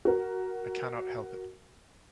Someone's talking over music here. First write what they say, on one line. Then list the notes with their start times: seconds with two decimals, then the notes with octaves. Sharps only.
I cannot help it.
0.05 F#4 A#4